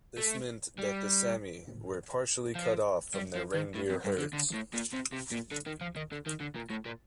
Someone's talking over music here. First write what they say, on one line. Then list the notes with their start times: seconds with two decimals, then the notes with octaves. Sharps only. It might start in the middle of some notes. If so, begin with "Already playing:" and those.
This meant that the Sami were partially cut off from their reindeer herds.
0.18 A3
0.78 G3
2.55 F3
3.14 G3
3.35 F3
3.54 D#3
3.74 A2
3.89 F2
4.04 G2
4.18 D3
4.33 D3
4.53 A2
4.73 A#2
4.93 C3
5.12 C3
5.31 A#2
5.51 D3
5.67 D#3
5.81 F3
5.96 D#3
6.12 D3
6.26 D#3
6.40 D3
6.55 A#2
6.70 A2
6.85 A#2